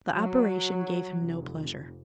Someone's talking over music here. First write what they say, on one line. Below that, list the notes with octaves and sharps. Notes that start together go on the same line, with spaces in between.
The operation gave him no pleasure.
F#3
F1